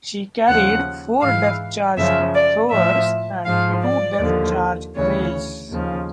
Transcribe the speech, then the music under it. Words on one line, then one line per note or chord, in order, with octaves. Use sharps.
She carried four depth charge throwers and two depth charge rails.
D#2 C#3 F3 F#5
G#2 E3 F5
F#2 C#3 F3 E5
D5
A2 F3 E5
G#2 F3 F5
D5
D#2 D3 F3
D2 C#3 E3 C#5
D#2 C#3 F3